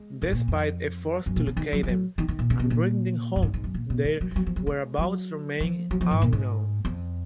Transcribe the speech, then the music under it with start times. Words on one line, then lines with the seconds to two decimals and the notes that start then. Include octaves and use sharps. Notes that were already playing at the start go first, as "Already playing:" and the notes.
Despite efforts to locate them and bring them home, their whereabouts remain unknown.
Already playing: G#3
0.22 G#2
0.32 A#2
0.48 F2
1.26 F#2
1.36 A#2
1.47 C#3
1.57 D#3
1.73 F#3
1.83 F3
1.88 F#3
2.18 D#3
2.28 D#3
2.39 A#2
2.50 C#3
2.60 B2
2.70 A#2
3.36 F#2
3.42 G#2
3.54 G#2
3.64 F#2
3.74 A#2
3.90 B2
4.05 G#3
4.21 F#3
4.31 F3
4.36 F#3
4.46 F3
4.56 F#3
4.67 G#3
4.98 F#3
5.61 F3
5.91 F#3
6.01 F3
6.11 G#2
6.22 A#2
6.33 G#2
6.85 F2